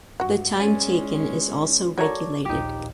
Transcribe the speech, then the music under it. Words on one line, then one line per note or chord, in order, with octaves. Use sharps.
The time taken is also regulated.
G2 F#4 F#5
G#3 C#4 D5 G#5
F#4 A4 A#4 C#5 D5
A#1 D#2 D#4 G4